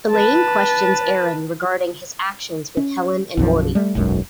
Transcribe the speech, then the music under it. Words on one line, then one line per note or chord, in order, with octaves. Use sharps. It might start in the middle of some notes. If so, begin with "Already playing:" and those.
Elaine questions Aaron regarding his actions with Helen and Morty.
B4 A5
C#4
B1 F#2 F3
G3 A3
E1 B1 F#2 G#3